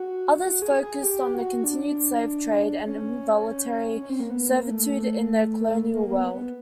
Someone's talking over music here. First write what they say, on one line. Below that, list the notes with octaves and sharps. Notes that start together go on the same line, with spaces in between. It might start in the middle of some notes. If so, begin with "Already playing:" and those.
Others focused on the continued slave trade and involuntary servitude in the colonial world.
Already playing: F#4
F#4
G#4
G#4
G4
F#4
D4
C#4
C#4
C4
A#3
B3
A#3
A3
A#3
A#3
B3
B3